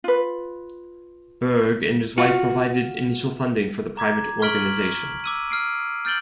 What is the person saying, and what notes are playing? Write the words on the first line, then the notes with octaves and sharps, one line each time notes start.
Bergh and his wife provided initial funding for the private organization.
F4 B4
F4 F#4
A#5 D6 G#6
C#6 F6 B6 D7 F#7 G7
D6 E6 D#7
F6 C7 D7
F6 G6 A6 D7 F#7 G7